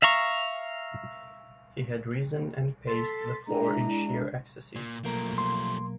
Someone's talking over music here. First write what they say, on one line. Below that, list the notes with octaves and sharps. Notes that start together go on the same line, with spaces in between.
He had risen and paced the floor in sheer ecstasy.
E5 F5 A#5 C#6
A4 C6 A6 B6
G#3 D4 E4 A#5
A#2
B1 F3 A3 A#3 A#4
C6